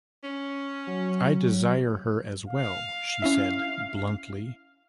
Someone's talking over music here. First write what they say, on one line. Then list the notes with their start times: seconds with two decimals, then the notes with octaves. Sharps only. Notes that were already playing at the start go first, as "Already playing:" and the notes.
I desire her as well, she said bluntly.
0.24 C#4
0.87 F#3
2.48 F5
3.22 C#4 E4 E5